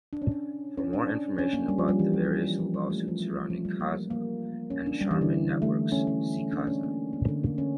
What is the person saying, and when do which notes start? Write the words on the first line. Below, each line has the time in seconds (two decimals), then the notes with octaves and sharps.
For more information about the various lawsuits surrounding Kazaa and Sharman Networks, see Kazaa.
0.13 D4
0.22 C#4
0.31 D4
0.77 C#4
0.93 D4
1.38 C#4
1.53 A#3
1.68 G3
1.78 F3
1.88 G3
1.99 E3
2.13 F3
2.59 F3
2.74 G3
2.90 A3
3.08 F3
3.19 G3
3.50 F3
3.65 G3
3.80 A#3
4.10 A#3
4.70 C#4
4.86 D4
5.01 G3
5.11 E3
5.21 D3
5.62 A3
5.92 C#4
6.07 C#4
6.52 D4
6.67 C#4
6.83 A#3
7.13 A#3
7.28 D3
7.44 A#3
7.58 C#4